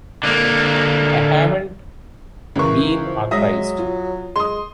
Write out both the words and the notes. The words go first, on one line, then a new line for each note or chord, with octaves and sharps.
I haven’t been authorized.
D3 A#3
C#2 C#3 E3 A#4 C#6
F3
F#3 G#3 E5 D#6 A#6
F4
G#3 C6 D#6